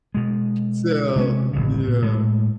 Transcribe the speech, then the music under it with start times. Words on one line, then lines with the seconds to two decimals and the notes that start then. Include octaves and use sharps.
So, yeah.
0.14 B2 G#3
1.16 C3 G#3 A3 C#4
1.53 D1 A1 G2 C#3
1.87 A#2
2.02 A2 G#3